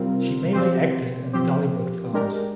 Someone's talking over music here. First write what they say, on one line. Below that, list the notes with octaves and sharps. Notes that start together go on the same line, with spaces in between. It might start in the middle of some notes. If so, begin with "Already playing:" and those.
She mainly acted in Dhallywood films.
Already playing: C3 G3 C4 F4 A#4
F3 C4 G4 C5
F3 C4 G4 C5
G#3 D4 G4 A#4